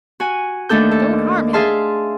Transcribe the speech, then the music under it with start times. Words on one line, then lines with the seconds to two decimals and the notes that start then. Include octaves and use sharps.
"Don't harm him!"
0.20 F#4 G#5
0.69 D#2 A3 D4 A4 G6
0.91 A4
1.53 G#4 E5 F5 A5 C6